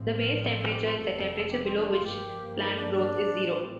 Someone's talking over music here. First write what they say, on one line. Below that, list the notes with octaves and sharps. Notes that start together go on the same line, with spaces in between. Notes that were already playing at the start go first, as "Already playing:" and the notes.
The base temperature is that temperature below which plant growth is zero.
Already playing: A1 A2 F3 C4
A#4
A#4
A4
A4
G4
F4
F1 F2 C3 A4
G4
C4
D4
F4
G2 F3 A#3 G4
D#4
D4
D4
A1 A2 A3 C4